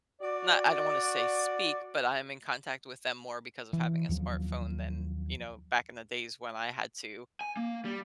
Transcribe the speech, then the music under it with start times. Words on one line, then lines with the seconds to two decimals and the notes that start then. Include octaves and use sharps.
not I don't wanna say speak, but I am in contact with them more because of having a smartphone than, you know, back in the days when I had to,
0.21 F#4 D5
3.73 E3
4.09 D#2 F3 F#3
7.41 G#5
7.57 A#3
7.85 G3